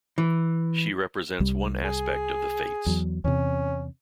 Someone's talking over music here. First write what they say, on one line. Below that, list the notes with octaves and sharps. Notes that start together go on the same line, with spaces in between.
She represents one aspect of the Fates.
E3
C2 G3
G#4
E2 F#3
E2 C3 C#4